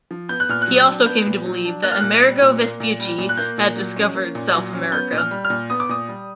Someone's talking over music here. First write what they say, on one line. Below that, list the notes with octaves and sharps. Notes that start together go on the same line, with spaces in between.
He also came to believe that Amerigo Vespucci had discovered South America.
F3
B3 G6
F#6
A#2 F6
F#6
F#3
D4
B3 G6
A#2
F#3
D4
A#3 F#6
F6
A#2 F#6
G3
A#2
A#3
A#2
G3
A#2
F#6
A#3 G6
A#2
F#3
C#4
A#3
A#2
F#3
C#4
B3 G6
A#2
F6
G3
F6
A#2
B3 D#6
D6
A#2 D#6
G3